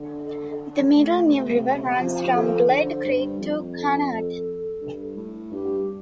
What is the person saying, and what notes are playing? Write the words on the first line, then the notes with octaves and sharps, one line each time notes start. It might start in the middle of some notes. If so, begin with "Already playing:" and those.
The Middle New river runs from Glade Creek to Cunard.
Already playing: D3
A4
D4
A3
C3
F3 C4
G4
A4
D3 C5
G2
F2
A4
G2
A2
G2 G4